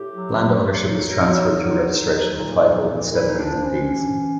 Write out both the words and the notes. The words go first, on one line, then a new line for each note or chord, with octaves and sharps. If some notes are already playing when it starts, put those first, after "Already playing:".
Land ownership is transferred through registration of title instead of using deeds.
Already playing: A2 G4
F#3
F#3
F#3 D#4
F#3
F#3
F#3
A#2
A#2
A#2 E4
D#4
D4
F3
C#4
E3